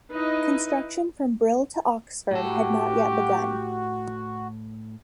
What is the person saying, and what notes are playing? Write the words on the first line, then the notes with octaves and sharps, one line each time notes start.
Construction from Brill to Oxford had not yet begun.
D#4 E4 B4 D#5
A2 F#4 G4 A4